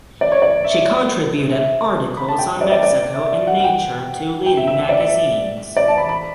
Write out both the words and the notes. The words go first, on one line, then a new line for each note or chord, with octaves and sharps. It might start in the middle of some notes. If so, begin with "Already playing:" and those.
She contributed articles on Mexico and nature to leading magazines.
D5
C#5
D5
E5
E5
B5
A5
G5
D5
D5
D5
E5
F#5
F#5
G5
G5
E5
E5
E5
D5
E5
D5
A5
B5
B5